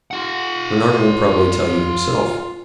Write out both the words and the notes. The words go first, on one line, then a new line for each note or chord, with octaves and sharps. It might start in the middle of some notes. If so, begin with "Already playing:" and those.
Bernard will probably tell you himself.
F4 F#5